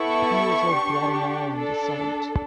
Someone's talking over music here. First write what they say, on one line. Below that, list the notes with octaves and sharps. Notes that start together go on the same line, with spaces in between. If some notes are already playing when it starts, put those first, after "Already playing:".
He is of Guatemalan descent.
Already playing: B3 E4 A4 C#6
D4 G4
D4 A4